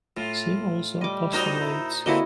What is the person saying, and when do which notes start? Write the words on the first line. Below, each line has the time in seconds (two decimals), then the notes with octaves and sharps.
See also Apostolates.
0.17 A2 F4
1.01 G3 D#5 D6
1.32 A2 D#4 F#4 A#4 C5 C#5
1.60 E4
2.06 D3 A#3 C4 E4 F#4 G4 D#5